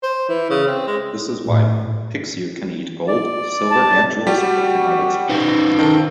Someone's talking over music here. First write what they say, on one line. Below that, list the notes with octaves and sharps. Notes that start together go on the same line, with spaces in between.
This is why Pixiu can eat gold, silver and jewels but cannot expel it.
C5
E3
C#3
C4
G#3
A2
D5
A5
G3 F#4 G4
D#4 B4 C5
D#3 A4